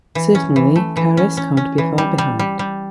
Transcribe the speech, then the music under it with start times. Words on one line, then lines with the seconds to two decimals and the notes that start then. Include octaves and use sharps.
Certainly, Kharis can't be far behind.
0.15 E3
0.35 C#4
0.56 E3
0.76 A3
0.97 E3
1.17 C#4
1.37 C#4
1.57 C#4
1.78 E3
1.98 G3
2.18 G3
2.39 G3
2.59 G3